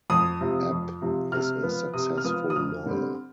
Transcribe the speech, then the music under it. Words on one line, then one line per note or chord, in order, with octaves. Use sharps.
Epp is a successful lawyer.
F2 D#6
C3 F3
F2
C3 F3
C3 F6
F3 B3
C3 D#6
F6
F3 B3 D#6
D#6
F2 F6
D3 G3 C4